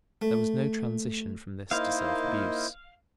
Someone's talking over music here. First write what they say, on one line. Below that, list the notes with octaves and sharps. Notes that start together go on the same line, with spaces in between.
There was no transition from this to self-abuse.
A3
A#3 D#4 E4 C5 D#5 F5